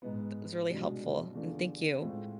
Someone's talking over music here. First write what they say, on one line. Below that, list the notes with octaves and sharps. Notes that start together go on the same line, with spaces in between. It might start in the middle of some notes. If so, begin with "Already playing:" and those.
that was really helpful, and thank you
G#2 G#3 B3
C2 B2 G#3 D4
E2 D3 A3 D4 F4
A2 G#3 C4 F4